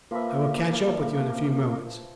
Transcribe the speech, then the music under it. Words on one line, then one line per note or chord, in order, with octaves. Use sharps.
I will catch up with you in a few moments.
F3 A#3 B4 E5